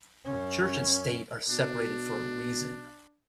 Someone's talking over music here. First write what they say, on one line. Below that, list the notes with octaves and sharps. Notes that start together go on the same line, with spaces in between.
Church and state are separated for a reason.
F#2 C#4
B2 D4